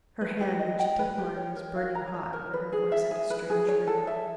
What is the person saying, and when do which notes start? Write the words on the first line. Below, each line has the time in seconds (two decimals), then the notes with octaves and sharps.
Her hand, when she took mine, was burning hot, and her voice had a strange ring.
0.21 B4
0.41 G4
0.60 D#5
0.79 G5
0.99 B4
1.18 G4
1.37 C#5
1.56 A#4
1.76 F5
1.95 A#5
2.14 C#5
2.33 A#4
2.53 B4
2.72 G#4
2.92 E5
3.11 G#4
3.30 B4
3.50 G#4
3.68 C#5
3.87 A4
4.07 E5